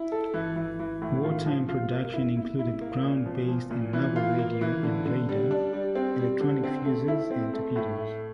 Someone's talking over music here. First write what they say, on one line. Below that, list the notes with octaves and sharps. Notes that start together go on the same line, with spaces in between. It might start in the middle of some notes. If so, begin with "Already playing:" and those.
Wartime production included ground-based and naval radio and radar, electronic fuses, and torpedoes.
Already playing: E4
A4
E3
E3
E3
A2
F4
F3
F4
A#3
E4
E4
E4
A#3
A#2
F3
F3
A#2
E3
F4
A#3
E3
D3
D3
G3
D4
G3
C4
G3
D3
C4
A3
E4
C4
A3
A2
A3